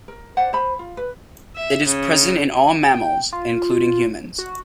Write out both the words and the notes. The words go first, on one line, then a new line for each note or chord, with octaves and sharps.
It is present in all mammals, including humans.
A#4
C5 D5 F#5
C5 B5
F4
B4
E5
C#3
G5
F4
F#4